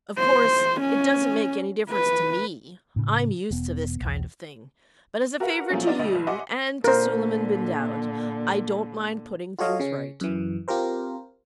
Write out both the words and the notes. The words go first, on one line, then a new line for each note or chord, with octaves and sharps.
Of course it doesn't make any difference to me--I'm used to this kind of thing--but as a favour to you and to Suleiman-bin-Daoud I don't mind putting things right.'
C5
C#4
B4
A2 C#3
E1 B3
B1 E2
F#4 A#4 B4 F5 F#5
A#2 F3 F#3 A3 C#4
B3 D4 F4 D5 D#5
D2 B2 D5 D#5
F#1
D#5 E5 F#5 G#5 C6 D6
A#2 D3 A#4 C5
F4 F#4 A4 C#5 D#5 F5
C#3 C#4
F#2 E3
C4 F4 G4 A#4 C5